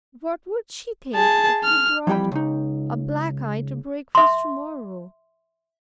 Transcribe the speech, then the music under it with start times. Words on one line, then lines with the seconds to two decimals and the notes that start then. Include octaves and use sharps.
What would she think if he brought a black eye to breakfast to-morrow?
1.14 G#4 A5
1.64 F6
2.07 F2 E3 G3 G5 B5
2.32 C#2 D#4
4.15 E5 C6